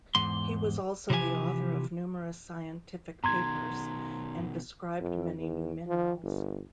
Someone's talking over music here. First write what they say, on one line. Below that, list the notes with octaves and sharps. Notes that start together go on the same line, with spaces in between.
He was also the author of numerous scientific papers, and described many new minerals.
E2 G#2 C6
C3 E3 F3 G4 G#5
B2 D#3 A#5 C6 G#6
F2
E2
F3
G1